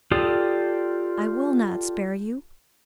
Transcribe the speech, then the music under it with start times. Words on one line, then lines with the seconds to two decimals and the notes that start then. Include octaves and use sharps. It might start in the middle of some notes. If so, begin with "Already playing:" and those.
I will not spare you.
0.11 F4 G4 A4 D5 D#6